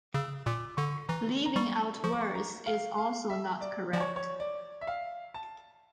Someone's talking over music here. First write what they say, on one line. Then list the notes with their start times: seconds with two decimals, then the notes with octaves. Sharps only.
Leaving out words is also not correct.
0.14 C#3 E6
0.46 A#2 D6
0.77 D3 C#6
1.09 E3 A#5
1.46 A#5
1.56 G3 C#6
2.04 F3 C#6
2.12 D6
2.21 C#6
2.35 A#5
2.66 F5
2.98 F5
3.30 E5
3.61 D5
3.93 F3 D5
4.01 C#5
4.16 C#5
4.40 D5
4.81 E5
4.87 F5
5.34 A5